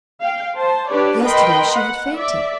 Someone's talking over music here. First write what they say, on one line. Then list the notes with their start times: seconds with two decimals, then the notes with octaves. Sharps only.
Yesterday she had fainted.
0.21 F5 G5
0.56 C5 A5
0.91 D4 G4 B4 C#5 D5
1.22 A#4 B4 D#5 G5 B5 C6
1.75 F#5
2.15 D5 E5